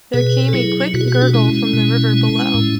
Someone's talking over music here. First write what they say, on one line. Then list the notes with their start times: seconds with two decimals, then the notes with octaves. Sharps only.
There came a quick gurgle from the river below.
0.13 B2 G#4 B4
0.49 A4
0.53 F#3 E4 G#4
0.94 B2 F#4
1.01 G#4
1.08 F#4
1.15 G#4
1.22 D4 F#4
1.34 G#3 C#4 E4
1.73 B2
2.14 G#3
2.54 A2